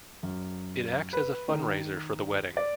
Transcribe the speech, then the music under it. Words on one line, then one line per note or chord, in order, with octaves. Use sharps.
It acts as a fundraiser for the wedding.
F#2
B4
D#3
D5